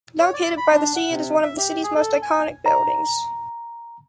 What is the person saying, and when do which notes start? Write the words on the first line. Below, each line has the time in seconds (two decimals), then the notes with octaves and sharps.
Located by the sea, it is one of the city’s most iconic buildings.
0.20 C#5
0.34 D5
0.57 B5
0.73 D4
0.96 F#5
1.11 C3
1.43 E5
1.58 G4
1.83 G#4
1.95 A4
2.22 G#5
2.66 A#5